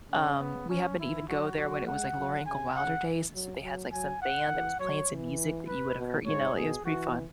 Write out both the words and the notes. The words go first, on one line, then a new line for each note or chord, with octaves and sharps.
Um, we happen to even go there when it was, like, Laura Ingalls Wilder days, and so they had, like, some band that was playing some music that you would have heard you know, it was pretty fun.
C#3 C#4
B3
C#4
E3 E4
F#3 F#4
F#3 F#4
G#3 F#5
F#3
C#3 G#5
C#3 F#5
E3
F#3
F#3
F#3 G#5
F#5
E3
F#3 C#5
E3
B4
B2
G#2 C#5
B2 G#4
E3 F#4